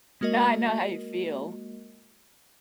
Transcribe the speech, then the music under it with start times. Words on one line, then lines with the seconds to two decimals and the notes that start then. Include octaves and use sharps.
No, I know how you feel.
0.21 G#3 A#3 F#4 A#4 D#5